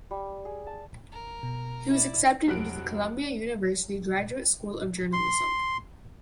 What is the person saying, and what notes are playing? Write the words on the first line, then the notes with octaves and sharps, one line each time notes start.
He was accepted into the Columbia University Graduate School of Journalism.
G3
G#4
A5
A#4
B2
E4 D5
F1 F#3 F#6 D7
C6